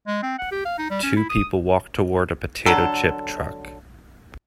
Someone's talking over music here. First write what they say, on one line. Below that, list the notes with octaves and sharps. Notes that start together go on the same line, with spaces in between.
Two people walk toward a potato chip truck.
G#3
C4
F#5
G4
F5
D#4
G3
C#4
E4
D#6
D3 F#3 A4